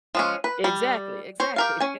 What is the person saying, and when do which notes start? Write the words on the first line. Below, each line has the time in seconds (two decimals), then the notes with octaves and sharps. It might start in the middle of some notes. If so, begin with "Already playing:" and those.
Exactly, exactly.
0.15 F3 G#3 C#4
0.44 B4
0.64 G3
1.40 C5 C#5
1.56 G4 A#4 F5
1.80 C#4 G#5